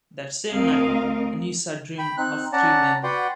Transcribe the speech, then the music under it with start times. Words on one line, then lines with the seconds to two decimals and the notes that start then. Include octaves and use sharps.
That same night, Anissa dreamed of three men.
0.52 D2 C4 A#4 D#5 F5
1.99 G5 B5
2.17 C4 D#4 F#6
2.53 C#4 D5 F#5 A5 A#5
3.03 F#4 B4 D5 F#5 G5 C6